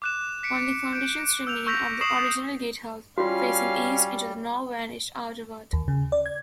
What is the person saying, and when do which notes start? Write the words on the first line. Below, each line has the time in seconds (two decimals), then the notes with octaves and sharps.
Only foundations remain of the original gatehouse, facing east into the now-vanished outer ward.
0.02 D6 F#6 E7
0.43 B6 C#7 D7
0.93 G6 C#7 D7
1.47 E6 G6 F7
1.67 C#6 E6 G6 A#6 B6 F7
2.01 C#6 D#6 C7 E7 F#7
3.18 G3 C#4 F4 F#4 F5
5.73 D#2
5.88 C#3
6.12 D5
6.26 G#6